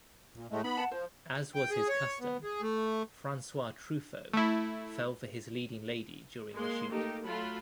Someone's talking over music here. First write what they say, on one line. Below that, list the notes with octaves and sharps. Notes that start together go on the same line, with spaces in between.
As was his custom, Francois Truffaut fell for his leading lady during the shoot.
A#2
A2 G#3 A3
B3 D#4 B5
F#5 A5
F3 C5
G5
G#4
C#5
B3
G#4
A3
A3 E4
G#3 A#3 C6
A3 A#3 D#4 G4 A4
F#3 A3 F4 A5 B5